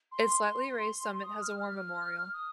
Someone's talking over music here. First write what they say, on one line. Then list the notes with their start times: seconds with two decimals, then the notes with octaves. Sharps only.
Its lightly raised summit has a war memorial.
0.12 C6
0.49 C6
1.23 D#6
1.41 F6
1.60 F6
2.33 D#6